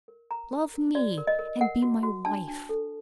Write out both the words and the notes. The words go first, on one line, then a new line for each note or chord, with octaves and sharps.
Love me and be my wife.
A#4
A#4 A#5
A#4
A#4
F#4 D5
A#4
D#5
A#4
A#4 F#5
F#4
F#4
D4 A5
D4
A4